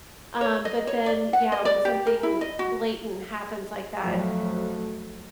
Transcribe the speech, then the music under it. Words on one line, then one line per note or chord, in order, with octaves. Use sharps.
um, but then, yeah, when something blatant happens like that,
C#5
D#5
C#5
D5
F#5
D#5
D5
G4
A#4
E4
D#5
F#4
F2 F#3 A3